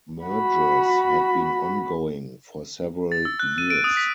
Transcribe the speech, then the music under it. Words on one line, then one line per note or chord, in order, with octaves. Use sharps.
Mergers had been ongoing for several years.
F#4 B5
A6
E6
F#6
D#7
D7
D#6
B6